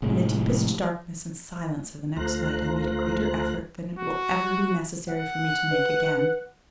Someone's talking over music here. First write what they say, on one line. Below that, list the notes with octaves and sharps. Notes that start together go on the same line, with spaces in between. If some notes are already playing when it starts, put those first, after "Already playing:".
In the deepest darkness and silence of the next night I made a greater effort than it will ever be necessary for me to make again.
F1 A2 G#3
D2 A3 F4 C5 A#5 F#6
F#4
F#5
B4